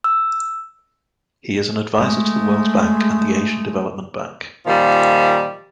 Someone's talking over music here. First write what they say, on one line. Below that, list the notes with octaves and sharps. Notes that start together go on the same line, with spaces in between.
He is an advisor to the World Bank and the Asian Development Bank.
E6
G#3 A3
A#2 D#3 F3 G3